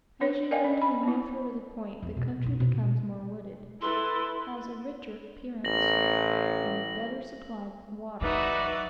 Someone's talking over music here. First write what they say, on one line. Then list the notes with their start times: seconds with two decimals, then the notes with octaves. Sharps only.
As you go to the northward of the point, the country becomes more wooded, has a richer appearance, and is better supplied with water.
0.21 D4 B4 C#5
0.51 A#4 D5 D#5 F5 G5 G#5
0.64 C#4
0.82 B5
1.03 B3 E4
2.02 F2 C4
2.17 B2
2.44 F#2 D#4
2.60 B2
3.82 E4 A4 B4 C6
5.65 A1 A#6 F#7
8.21 E3 F#3 D#4 F#4 B4 D5 E5 F#5